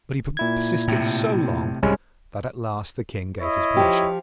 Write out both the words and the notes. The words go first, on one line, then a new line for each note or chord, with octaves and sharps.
But he persisted so long that at last the King gave his permission.
A#2 E4 G#6
A2 C3
C2 G#2 G3 G#3 C#4
E4 C#5 D#5
F3 G4